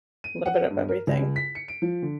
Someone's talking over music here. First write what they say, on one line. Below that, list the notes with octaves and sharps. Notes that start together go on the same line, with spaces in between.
a little bit of everything.
D#7
F#5
G2
A#4
C#2
B6
C#7
D7
F3
D3